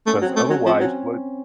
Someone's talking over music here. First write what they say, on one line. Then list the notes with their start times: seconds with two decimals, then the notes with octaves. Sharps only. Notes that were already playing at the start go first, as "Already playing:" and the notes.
'cause otherwise, what
0.07 A3 C#4
0.22 F#3
0.26 C4
0.36 A3
0.46 F#3 C#4
0.66 F3 C4
0.80 F#3
0.85 C#4